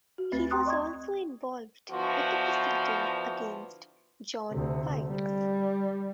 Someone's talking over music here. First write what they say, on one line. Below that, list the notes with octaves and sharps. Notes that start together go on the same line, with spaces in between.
He was also involved with the proceedings against John Wilkes.
F#4
D2 A3 C4 B4 A6
G5 A#5 C6 C#6 D#6 F#6
D5 D#5 C#6 D#6 G#6
D3 E3 F3 B3 F4 F#4
D2 C3
G3